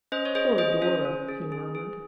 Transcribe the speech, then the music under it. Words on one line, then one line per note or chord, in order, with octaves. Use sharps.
"Poor Dora!" he murmured.
C#4 C5 D#5
C#5
G#4 C5 D#5
G#4 C5 D#5
C#4 C5
C#4
G#4
G#4
G#4